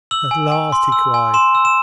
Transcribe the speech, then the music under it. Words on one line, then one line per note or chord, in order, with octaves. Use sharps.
"At last!" he cried.
E6 F#7
G#5
G#5
C6
E6
G#5
C6 E7
E6
E7